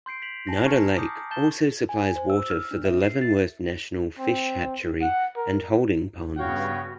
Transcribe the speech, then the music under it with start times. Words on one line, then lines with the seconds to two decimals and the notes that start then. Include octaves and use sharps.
Nada Lake also supplies water for the Leavenworth National Fish Hatchery and holding ponds.
0.06 C6 G6 C7 D7
0.22 B6 D7 F7 F#7
0.47 G#5 A5 A#6
0.65 A#5 C#6 F6 G#6 C#7
0.97 D6 D#6 G6
1.31 A5 G6 A6 E7 G7
1.89 G#5
2.16 C5
2.30 E6
2.50 F6
2.71 D4
2.85 E5
3.02 C7
3.21 A6
4.19 C4
5.02 F#5
5.36 A#4
6.37 G2 C#3 B3 F#4 C#5 F5 G5